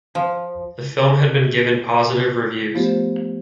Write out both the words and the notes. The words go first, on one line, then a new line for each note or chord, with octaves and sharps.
The film has been given positive reviews.
F3
F3 A3 B3 F4 G4 C5